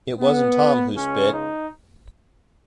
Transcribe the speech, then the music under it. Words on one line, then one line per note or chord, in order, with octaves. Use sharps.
It wasn't Tom who spit.
B3
C#2 C#3 G#3 C#4
D#4